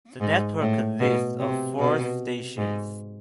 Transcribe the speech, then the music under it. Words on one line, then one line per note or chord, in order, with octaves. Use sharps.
The network consists of four stations.
G#2
A2
B2
C3
B2
G#2